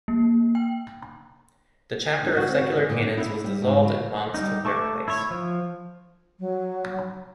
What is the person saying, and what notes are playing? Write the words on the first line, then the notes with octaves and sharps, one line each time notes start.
The chapter of secular canons was dissolved and monks took their place.
A#3
G5
D#4
F#4
C4
F#4
G#4
A#2
D#4
E4
D#4
G3
G#2
F#3
G3 D#4
A3 A5 C#6 D6
E4 C#5
F3
F#3